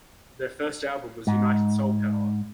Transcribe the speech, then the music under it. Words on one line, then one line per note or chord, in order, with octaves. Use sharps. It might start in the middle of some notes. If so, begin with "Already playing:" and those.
Their first album was "United Soul Power".
G#2